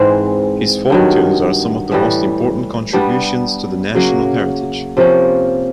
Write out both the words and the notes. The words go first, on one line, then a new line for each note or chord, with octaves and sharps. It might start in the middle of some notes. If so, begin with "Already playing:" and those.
His folk tunes are some of the most important contributions to the national heritage.
Already playing: G#2 E3 G#3 C4
G2 D#3 F#3
A2 E3 G3
G3 B3 D4
C#3 F#3 A#3
C3 F3 A#3 C#4